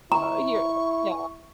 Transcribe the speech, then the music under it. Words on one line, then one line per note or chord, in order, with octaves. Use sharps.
Ah, here, yeah,
E4 A#5 C#6